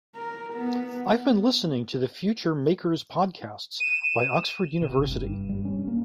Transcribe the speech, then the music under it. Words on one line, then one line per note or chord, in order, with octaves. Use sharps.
I've been listening to the future maker's podcasts by Oxford University.
A#4
B3
D#7 E7
C3
G1
G2
G3
C#4
A#3